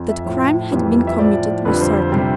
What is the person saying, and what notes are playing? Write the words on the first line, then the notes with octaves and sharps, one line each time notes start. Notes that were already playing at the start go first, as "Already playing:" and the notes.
That crime had been committed was certain.
Already playing: F2
E5
A2 F3
F2 E3 G3
E5
A2 F3 D5
F2 D3 G3 B4
C5
C5
C3 G3 C5